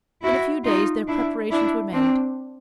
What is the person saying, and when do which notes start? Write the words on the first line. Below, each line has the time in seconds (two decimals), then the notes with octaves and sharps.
In a few days their preparations were made.
0.23 E4 F#4
0.65 D#4 F4
1.08 D4 E4
1.51 D4 E4
1.93 C4 D4